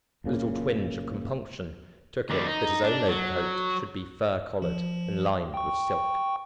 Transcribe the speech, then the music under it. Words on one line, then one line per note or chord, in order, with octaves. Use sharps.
A little twinge of compunction took him that his own overcoat should be fur-collared and lined with silk.
F#1 A#2 C#3 A#3
D#2 G3
D#4
D4
F#3
F3
G5 C#6